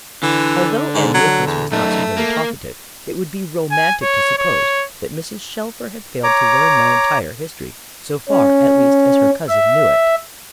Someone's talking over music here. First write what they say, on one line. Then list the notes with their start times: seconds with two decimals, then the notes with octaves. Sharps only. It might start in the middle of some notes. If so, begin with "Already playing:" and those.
Although Ann Maples was not so very talkative, it would be romantic to suppose that Mrs. Shelfer had failed to learn my entire history, so far at least as her cousin knew it.
0.23 D3 E3
0.94 G#2
1.14 F#3
1.47 E2
1.72 F#2 A3 D#4
2.18 A#3
3.71 G#5
4.02 C#5
4.38 C#5
6.23 C#5 A#5 D6
8.29 C#4
9.49 E5